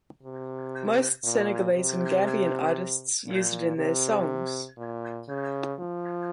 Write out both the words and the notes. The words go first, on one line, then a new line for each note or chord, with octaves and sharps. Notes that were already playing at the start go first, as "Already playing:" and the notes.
Most Senegalese and Gambian artists use it in their songs.
C3
A#2
C3
A#2
C3
A#2
C#3
F3